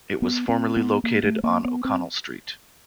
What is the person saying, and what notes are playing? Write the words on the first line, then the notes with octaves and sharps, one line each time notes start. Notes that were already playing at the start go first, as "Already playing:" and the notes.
It was formerly located on O'Connell Street.
B3
C4
B3
A#3
A3
A#3
B3
C4